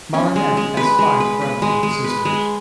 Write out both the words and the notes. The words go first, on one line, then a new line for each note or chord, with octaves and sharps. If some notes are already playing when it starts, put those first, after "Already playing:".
Marinette has five brothers and sisters.
C#4
G#3
G#3
B4
G#3
B4
B4
G#3
G#3
B4
G#3